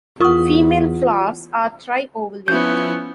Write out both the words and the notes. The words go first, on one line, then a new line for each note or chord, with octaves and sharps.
Female flowers are tri-ovulate.
E2 F4 A#4 F#5 C#6 D#6
F3 B3 C#4 E4 G6